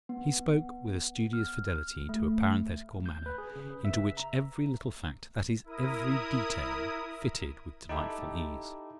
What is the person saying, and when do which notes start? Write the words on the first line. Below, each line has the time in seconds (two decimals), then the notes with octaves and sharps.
He spoke with a studious fidelity to a parenthetical manner, into which every little fact--that is, every detail--fitted with delightful ease.
0.09 B3
1.33 F6
2.09 A3
3.06 G6
3.26 B4
3.38 G#4
3.56 C#3
3.71 B4
3.85 E5
4.17 A#5
5.64 E4 A#4 D#6
7.89 D#4 E4 G4 A4